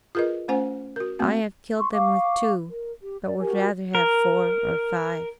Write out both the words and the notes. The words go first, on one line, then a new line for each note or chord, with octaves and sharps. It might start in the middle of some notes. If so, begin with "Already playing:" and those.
I have killed them with two, but would rather have four or five.
F4 G#4 A#4 B4 D#5
A3 C#4 C5 F#5 G#5
F#4 A#4
A3 A#3 C4 F#4
C6 C#6
F5 C#6 D6
A#4
G4
D5
F#4 G4 A#4 G#5
A#4